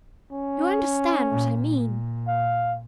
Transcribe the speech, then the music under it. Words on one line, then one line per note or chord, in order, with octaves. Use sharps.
You understand what I mean.
C#4
A#2
A#2
F5